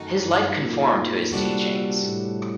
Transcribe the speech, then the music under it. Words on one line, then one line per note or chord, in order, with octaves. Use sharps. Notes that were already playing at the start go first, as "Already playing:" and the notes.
His life conformed to his teachings.
Already playing: F#2 D#3 A3 D#4 F#4
G2
A#2
C3 G3 D4 F#4 A4
A2